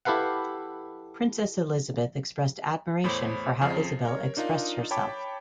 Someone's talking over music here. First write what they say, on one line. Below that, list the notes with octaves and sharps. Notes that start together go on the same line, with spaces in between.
Princess Elizabeth expressed admiration for how Isabel expressed herself.
E4 G4 A4 B4 F5 F#5
E2 A2 C5 C#5 B5 D6
F2 C#3 F3
A#4 C#5
D4 D#4 F4 A#4 F5
C#5 G5 A5 B5 D6